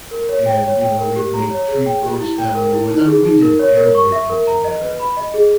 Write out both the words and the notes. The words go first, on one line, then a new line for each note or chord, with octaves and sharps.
and, you know, we've made tree forts down in the wood I mean, we did everything together,
A#4
C#5
G5
C#5
G5
A#4
G4
A#5
C#5
G#4
G5
G4
E4
G5
A#4
E4
D#4
G#4
D#4
A#4
C#5
A#4
C#6
E5
A#4
A#5
D#5
B4
B5
D#5
G#4